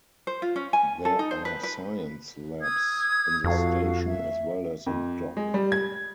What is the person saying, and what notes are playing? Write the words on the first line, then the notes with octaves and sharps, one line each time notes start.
There are science labs in the station, as well as a dock.
C5
F4
C#4
G#5
A4
D#4
C5
B4
B4
D#6 E6 G#6
F2 F#4 A4 F5
E5
F2
G#3
G3
G#6